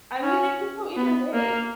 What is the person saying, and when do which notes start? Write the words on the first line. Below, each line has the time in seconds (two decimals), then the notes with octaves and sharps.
I mean, they could go either way,
0.23 C#4
0.96 B3
1.33 A#3